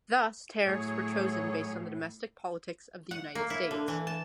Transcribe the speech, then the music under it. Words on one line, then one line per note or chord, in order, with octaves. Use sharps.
Thus, tariffs were chosen based on the domestic politics of the United States.
A2 F#3 G#4 C#5
F#5
A#3
E4
D3
E3
A5